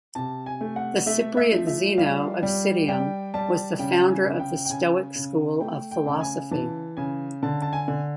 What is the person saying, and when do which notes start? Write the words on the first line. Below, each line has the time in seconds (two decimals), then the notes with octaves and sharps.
The Cypriot Zeno of Citium was the founder of the Stoic School of Philosophy.
0.15 C3 A5
0.46 G#5
0.61 A3
0.76 F#5
1.06 A3 E5
1.37 E5
1.52 F3
1.67 E5
1.98 G3 F5
2.43 G3
2.88 G3 G5
3.34 G3 A5
3.79 C#3 G5
4.09 G#5
4.24 C#3
4.40 G5
4.65 G5
4.69 C#3 G#5
5.16 C#3
5.61 A3 G5
5.91 G5
6.06 C#3
6.21 G#5
6.51 E3 A5
6.97 C#3 G#5
7.43 D3 A5
7.62 A5
7.73 G#5
7.88 D3